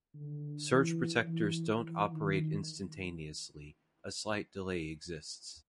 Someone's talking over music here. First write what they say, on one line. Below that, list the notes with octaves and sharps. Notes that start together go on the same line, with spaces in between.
Surge protectors don't operate instantaneously; a slight delay exists.
D3
E3
E3
E3
D#3